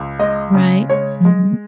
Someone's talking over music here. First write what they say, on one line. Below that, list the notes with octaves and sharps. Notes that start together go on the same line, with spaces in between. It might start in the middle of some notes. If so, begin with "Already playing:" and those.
Right. Mhm.
Already playing: C#2
G#3 D#5
C#3
G#3 C#5
G#3